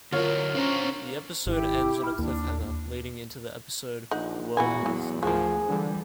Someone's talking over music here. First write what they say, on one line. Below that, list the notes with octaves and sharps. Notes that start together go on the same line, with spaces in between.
The episode ends on a cliffhanger, leading into the episode "World War Three".
D3 F#3 F4 A#4 C#5
C#4 D4 C5 A#5
G#1 E4 G4
E4 F6
D#2 D4
A#1 D#4 F#5
E2 A#2 E3 F#4 B4 G#5
E3 F#3
D2 F3 A#3 F#4 G#4
D3 E3 G3